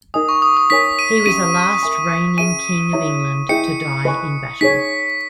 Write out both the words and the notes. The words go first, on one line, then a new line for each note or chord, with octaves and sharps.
He was the last reigning King of England to die in battle.
D#4 A#4 D#5 G#5 D#6
C#6
D#6
D#6
D#4 A#4 C#5 G#5 B6
D#7
C#4 G4 B4 E5 D#7
A#4 E5 G#5 B5
C#4 G#4 B4 E5 G#5 D#7
E4 G4 C#5 E5 A#5
E4 G#4 D#5 G5 C#7
B4 D#5 G#5 C#6
D#4 G#4 C#5 B6